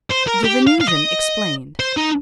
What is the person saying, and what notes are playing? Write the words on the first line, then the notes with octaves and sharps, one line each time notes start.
The Venusian explained.
C5
A#4
G4
F5
F5
D#5
C5
D#4